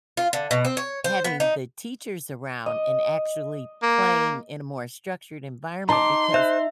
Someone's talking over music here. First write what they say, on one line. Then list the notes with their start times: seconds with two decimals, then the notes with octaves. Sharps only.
having the teachers around and actually playing in a more structured environment because
0.17 F4
0.33 D3
0.51 B2
0.65 C4
0.77 C#5
1.04 C5
1.24 B3
1.40 D#4
2.66 D#5
3.83 A#3
5.89 D#4 A5 A#5 C6 D6
6.34 C5 E5 F#6